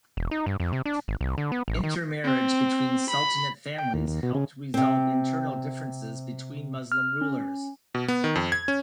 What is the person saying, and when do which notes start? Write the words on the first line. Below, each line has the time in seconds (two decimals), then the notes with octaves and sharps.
Intermarriage between Sultanate families helped resolve internal differences between Muslim rulers.
0.17 E1
0.31 D#4
0.46 G2
0.60 F2
0.73 C3
0.86 D4
1.08 G#1
1.21 C2
1.38 D3
1.52 B3
1.68 A1
1.83 D#3
2.24 C4
3.10 B5
3.78 G5
3.94 D#2
4.07 D#2
4.23 B2
4.35 C#3
4.74 C3 C4
6.92 F6
7.21 C#4
7.95 B2
8.08 B3
8.24 D#3
8.36 F2
8.52 G#6
8.68 C#4